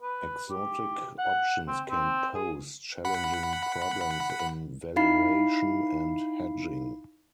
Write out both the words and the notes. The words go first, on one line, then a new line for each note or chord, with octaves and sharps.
Exotic options can pose challenging problems in valuation and hedging.
B4
G4
F#5
C4
C4
G#4
F#5 B5
D#4 E4 F5 B5 C7